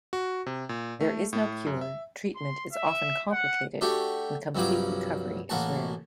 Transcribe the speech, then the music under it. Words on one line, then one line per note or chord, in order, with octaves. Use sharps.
There is no cure, treatment is often complicated, and complete recovery is rare.
F#4
C3
A#2
A3
A2
F#2
E5
C6
E5
F#5
A3 D4 F#4 G4
C2 G2 F3 F#3 D6
A1 A#3 F#4 A5